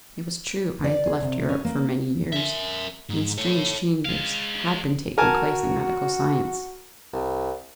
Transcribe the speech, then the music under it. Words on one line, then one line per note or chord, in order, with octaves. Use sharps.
It was true I had left Europe for many years, and strange changes had been taking place in medical science.
D5
G#4
C3
C#4
A#3
A#4 E5
G#2
A4 C#5
G#3 F5
F#4 A#4 G#5 A5
C2